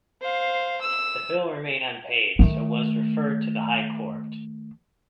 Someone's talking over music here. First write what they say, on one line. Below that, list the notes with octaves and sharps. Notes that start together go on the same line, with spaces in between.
The bill remained unpaid so was referred to the high court.
C5 F5
E6
D#3 A3